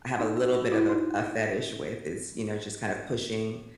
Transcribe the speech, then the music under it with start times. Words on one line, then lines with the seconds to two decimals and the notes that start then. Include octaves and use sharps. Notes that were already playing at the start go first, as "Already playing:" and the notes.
I have a little bit of a a fetish with is, you know, just kind of pushing
0.19 D#4
0.37 F#4
0.54 F#4
0.72 E4
0.89 D#4